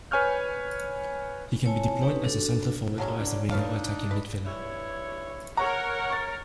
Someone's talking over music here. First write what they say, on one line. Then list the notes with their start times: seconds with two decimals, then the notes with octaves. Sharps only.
He can be deployed as a centre-forward or as a winger or attacking midfielder.
0.11 B4 C#5 G#5 C#6 F6 G6
1.65 C4 E4 C#5 G#5 A5
2.02 C4 C#4 D#4 G4 B4 C#5
2.24 D4 F#4 A4
2.98 D3 F#3 G#3 C#4
3.18 E3 D4
3.51 D4 D#4 B4 C#5 F5
4.11 B4
4.46 G2 E4 C#5
5.57 A#4 C#5 F#5 A#5 C#6
6.10 C#6 A6